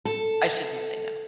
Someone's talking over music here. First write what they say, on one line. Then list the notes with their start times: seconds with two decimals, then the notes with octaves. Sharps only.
I shouldn't say no.
0.05 A4